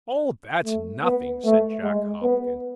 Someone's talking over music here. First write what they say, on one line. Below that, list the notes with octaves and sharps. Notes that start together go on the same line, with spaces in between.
'Oh, that's nothing,' said Jack Hopkins.
A3
B3
A3
G#3
B3